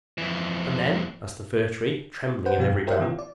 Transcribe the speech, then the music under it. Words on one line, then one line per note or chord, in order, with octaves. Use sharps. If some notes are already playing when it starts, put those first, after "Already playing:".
"And then?" asked the Fir Tree, trembling in every bough.
F2 E3
B4 C5 F#5 G6
G2 B2 F3 C4 G4 F5
F#2
E4 F4 G4 A#4 C5 G5
D#3 E3 B3 C#4 E4 F4
D5